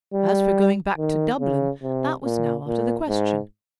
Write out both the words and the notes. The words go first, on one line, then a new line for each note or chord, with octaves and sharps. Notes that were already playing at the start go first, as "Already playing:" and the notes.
As for going back to Dublin, that was now out of the question.
G3
D#3
C#3
C3
A#2
A#2
G#2